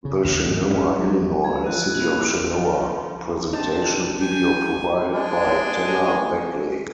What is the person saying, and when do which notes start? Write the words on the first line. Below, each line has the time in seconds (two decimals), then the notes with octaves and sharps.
The Chenoa Illinois, City of Chenoa Presentation video Provided by Tanner Bagley.
0.05 C#3
0.24 D#2
0.45 G#2
0.62 E3
0.76 C#4
0.99 F#3
1.44 E5 G#6
1.64 E3 F3 D#5 F#6 D#7
1.94 C3 A#3 E4 F#6 F7 F#7
2.43 D3 F3
3.53 C3 C4 D4 D#4 A5
4.20 G5 G#5
5.13 G#3 D4